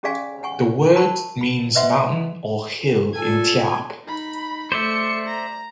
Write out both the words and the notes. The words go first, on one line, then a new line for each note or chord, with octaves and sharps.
The word means "mountain" or "hill" in Tyap.
C#4 G4 G#4 D5 F5 G#5
F#5 G#5 C#6
A#4 A5 B5 C#6
B5
B4 C5 D#5 E5 F#5 C6
A#2 A4 G#5
D#4 B5
A3 C5 D5 E5 C#7
A#5